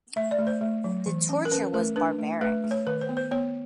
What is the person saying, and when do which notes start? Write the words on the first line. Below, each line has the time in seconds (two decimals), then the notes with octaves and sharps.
The torture was barbaric.
0.16 A3 E5
0.31 D5
0.39 A3
0.47 C5
0.61 A3
0.84 F#3
1.06 E3
1.29 C#4
1.45 A#4
1.51 C#4 B4
1.74 A3 A#4
1.96 D4 B4
2.19 A3
2.41 A3 B4
2.64 A3
2.71 C#5
2.87 D#3 B4
3.01 C5
3.09 B3
3.17 C5
3.31 B3 C#5